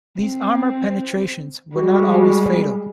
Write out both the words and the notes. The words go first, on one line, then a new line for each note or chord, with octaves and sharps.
These armour penetrations were not always fatal.
C4
G3 G#3 F#4